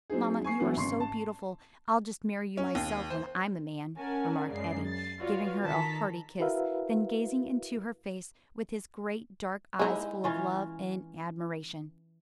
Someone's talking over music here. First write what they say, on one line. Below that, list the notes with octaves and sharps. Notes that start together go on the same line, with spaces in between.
"Mamma, you are so beautiful, I'll just marry you myself, when I'm a man," remarked Eddie, giving her a hearty kiss, then gazing into her face with his great dark eyes full of love and admiration.
F#3 C4 D#4 G#4
G#5 C#6 C7
E3 F#3 A3 B3 E4 F#4
G#1 C#3 C6 C#6 C7
A5
C#4
D#2
C5
C#4 A#4 F#5 G#5 A5
F#2 C#3 G#3 D5 C7
A6 C7
F4 F#4 B4 C#5 D5 F5
D#3 A4 A5 A#5 B6
E4 F#4 A#4 B4 E5 F5
G#3 D#4 E4
E3 C#4 F4